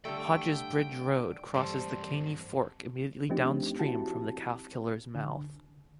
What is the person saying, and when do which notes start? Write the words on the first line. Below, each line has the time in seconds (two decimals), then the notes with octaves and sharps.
Hodges Bridge Road crosses the Caney Fork immediately downstream from the Calfkiller's mouth.
0.05 D3 G3 A3 G5
1.54 G2 E3 G3 A3 C5
3.29 F3 A3 C4 D4 D#4 G4
3.79 C4 E4 F#4 G4 A5
5.15 D3